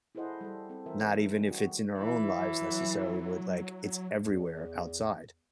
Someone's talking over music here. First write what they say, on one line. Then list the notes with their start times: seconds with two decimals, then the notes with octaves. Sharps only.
not even if it's in our own lives necessarily, but, like, it's everywhere outside.
0.15 E4 G#4 A4 C5 D#5 F#5
0.41 G3 A4
0.70 C4 A4
0.86 E3 A#4 C5 E5
1.32 G3 G#4
1.49 F#4
1.97 E3
2.38 F#3
4.20 E2